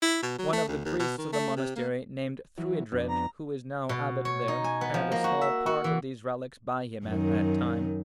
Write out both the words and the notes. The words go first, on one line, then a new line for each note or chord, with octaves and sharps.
One of the priests of the monastery, named Thruidred, who is now abbot there, had a small part of these relics by him at that time.
E4
B2
F#3
A3
D2
D#2
B2
D#3
A3
C3
A#3
E3 F#3
F2 B3 D4
A#5
B2
C#5
D#4
G#5
B3
F3
A#3
F#4
E5
F#4
E3
F#2 D#3